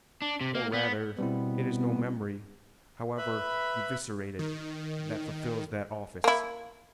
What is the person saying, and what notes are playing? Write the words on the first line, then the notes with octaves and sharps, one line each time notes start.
Or rather it is no memory, however eviscerated, that fulfils that office.
D4
C3
A#3
B3
B2 G3 B3 C4 E4
B4 E5 B5
D#3
A#3 E4